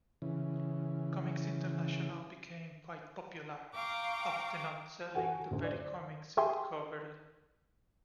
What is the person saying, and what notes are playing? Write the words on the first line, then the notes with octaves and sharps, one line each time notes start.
Comics International became quite popular, often outselling the very comics it covered.
C#3 E3
F5 G5 A#5 C#6 D6
F#4 A4 F#5 G#5
A1 D2
C5 D5
G4 G#4 E5 G5 G#5 C6